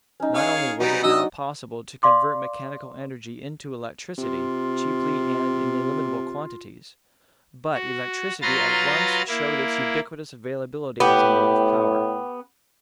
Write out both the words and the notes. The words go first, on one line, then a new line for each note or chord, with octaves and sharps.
Not only was it now possible to convert mechanical energy into electricity cheaply and in illimitable quantities, but electricity at once showed its ubiquitous availability as a motive power.
C#4 D#4
G#4 C#5 F5
F#3 G3 B3 D#4 D6
F#3 D4 D#4 D#5 D#6 E6
D5 F5 C6 D6
C3 F4
F#4
F#3 F4 B4 A#5 C6 A6
A#3 E4
A2 B3 G4